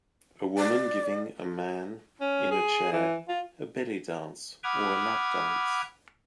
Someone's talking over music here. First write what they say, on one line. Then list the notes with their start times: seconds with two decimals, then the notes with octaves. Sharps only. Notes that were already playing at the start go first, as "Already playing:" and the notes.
A woman giving a man in a chair a belly dance or a lap dance.
0.58 D5
2.21 C#4
2.51 G#4
2.93 E3
3.29 F4
4.64 F#5 B5 D6 D#6 F6 G#6